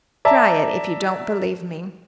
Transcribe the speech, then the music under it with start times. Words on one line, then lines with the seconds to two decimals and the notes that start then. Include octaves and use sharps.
Try it, if you don't believe me.
0.25 D5 E5 A5 A#5